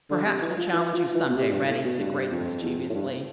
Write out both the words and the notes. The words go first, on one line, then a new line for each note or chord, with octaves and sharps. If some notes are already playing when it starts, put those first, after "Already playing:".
"Perhaps we'll challenge you some day, Reddy," said Grace mischievously.
D3
C3
E3
F3
E3
F3
E3
B2
C3
G2
A2
B2
G2
F2
E2
F2
A2
G2